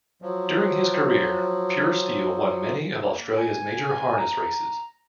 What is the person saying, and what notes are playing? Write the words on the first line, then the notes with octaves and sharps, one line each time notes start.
During his career, Pure Steel won many of Australia's major harness races.
F3 F#3
A#3
G#5
A#5